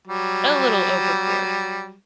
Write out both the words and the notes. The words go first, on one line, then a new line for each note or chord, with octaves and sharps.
a little overboard
F#3 G3